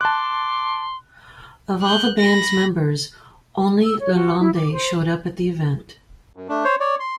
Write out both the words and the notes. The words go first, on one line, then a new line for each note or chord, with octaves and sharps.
Of all the band's members, only LaLonde showed up at the event.
A5 C6 D6 F#6
F#6 G6
B5 A#6
E6
C#5
F#4
E4
D6
C5
F#2
A3 D4
C5 C#5
C#5 D5
C6